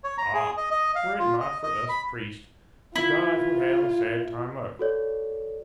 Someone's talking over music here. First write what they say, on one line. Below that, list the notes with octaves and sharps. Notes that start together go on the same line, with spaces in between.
Ah! were it not for us priests, the gods would have a sad time of it.
C#5
A#5
G#4
D#5
D#5
F5
F4
D#5
D#5
B5
E4 F4
F#4 A4 C#5 D5